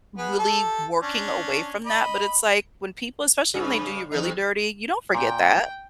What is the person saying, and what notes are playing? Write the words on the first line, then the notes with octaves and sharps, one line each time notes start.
really working away from that, but it's like, when people especially when they do you really dirty, you don't forget that.
B3 G#4 B4
G4 A4
C#4 D4
D#5 B5
G2 C#3
E2 D#4
A#2 G5